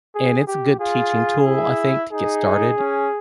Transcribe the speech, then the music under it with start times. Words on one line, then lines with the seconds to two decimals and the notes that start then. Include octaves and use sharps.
and it's a good teaching tool I think to get started,
0.15 G#4
0.47 G4
0.80 F4 G#4
1.46 E4
2.12 D#4 G#4
2.79 C#4